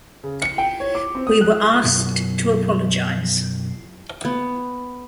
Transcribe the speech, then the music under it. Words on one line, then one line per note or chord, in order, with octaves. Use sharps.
We were asked to apologize.
C#3
C#7
G5
C#5
D6
C4
D#6
F#6
B1 F#2
B3